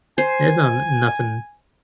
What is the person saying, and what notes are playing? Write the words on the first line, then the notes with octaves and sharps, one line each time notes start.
it's not nothing,
C5 G#5